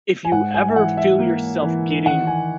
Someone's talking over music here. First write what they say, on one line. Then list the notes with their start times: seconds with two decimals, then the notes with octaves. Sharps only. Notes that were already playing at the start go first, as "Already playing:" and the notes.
if you ever feel yourself getting
0.25 G#5
0.32 G#2 F#5
0.54 G#5
0.69 E5
0.76 E3 F#5
0.97 E5
1.19 A#3
1.62 E3
2.06 D#3 F#5
2.27 G#5